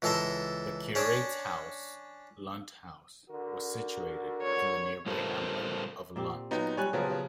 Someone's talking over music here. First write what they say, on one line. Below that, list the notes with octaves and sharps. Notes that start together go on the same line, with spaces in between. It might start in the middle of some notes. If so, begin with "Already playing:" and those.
The curate's house, Lunt House, was situated in the nearby hamlet of Lunt.
C#2 E3 A4 A5 A#5 C6
C#4 D4 C#5
D3 F#4 A#4
C#5
G3 F4 A4 A#4 C5
A#2 C4 G4
F#3 B3 D#4 F4 G5
G3 C#5 G#5 F#6
C#3 F3 F#3 B3 C4
C#3